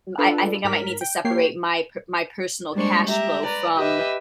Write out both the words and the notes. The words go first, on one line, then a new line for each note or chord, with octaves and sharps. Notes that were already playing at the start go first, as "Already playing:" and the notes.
I I think I might need to separate my p my personal cash flow from
D4 F4 A4 B4
G#2 A#4 B6
G5
A#3 G4 C#5 G5 C7
G3 G#3 A#3 D4 C5 C#6
G4 E5 A#5
B4 D5 A#5
G4 B4 D#5 E5